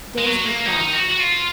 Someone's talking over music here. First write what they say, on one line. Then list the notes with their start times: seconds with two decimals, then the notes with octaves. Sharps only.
The days went by.
0.18 G#3
0.26 F#3
0.46 A#3
0.66 D#4
0.93 F#4
1.11 F#4
1.20 F4